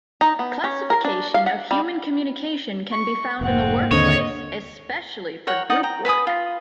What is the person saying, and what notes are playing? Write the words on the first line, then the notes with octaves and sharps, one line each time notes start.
Classification of human communication can be found in the workplace, especially for group work.
D#4
B3
C#4
A#4
D4
F5
F#5
G3
C#6
F1 G#2 A#3 C4 F#5
D#2 D3 C4 C#5 D#5
A#4 C#5 F#5 G5
D#4 D5 F#5 D#6
G5 A#5
B4 G#5 B5 D#6
F4